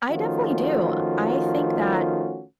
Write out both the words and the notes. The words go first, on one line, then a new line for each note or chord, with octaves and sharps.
I definitely do. I think that,
D#3 F3 A3 C#4 F4 F#4